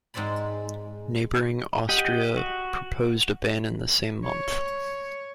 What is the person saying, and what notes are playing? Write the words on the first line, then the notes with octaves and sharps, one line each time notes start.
Neighbouring Austria proposed a ban in the same month.
G#2 G#3 C4 D5 B5
G4 D#5 F#5
F#4
C#5